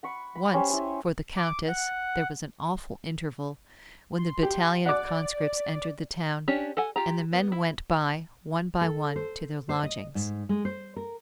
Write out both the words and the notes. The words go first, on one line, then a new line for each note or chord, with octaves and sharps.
Once, for the Countess, there was an awful interval, when the battalion of conscripts entered the town, and the men went by, one by one, to their lodgings.
F#5 B5 C#6
B5
C#4 G4 C5 C#5
E4 G#5
D6
F#5
C6
G4
D5 F#5 D6
C#4 D4 G4 C#5
A4 F#5 G#5
F4 G4 A#5
B3
E4
A4
C5
C5
D#5
G#2
G#3
C5
A#4